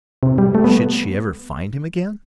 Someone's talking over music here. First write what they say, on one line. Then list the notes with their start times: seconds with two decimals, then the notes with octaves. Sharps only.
Should she ever find him again?
0.23 C3
0.38 G3
0.55 A3
0.64 B3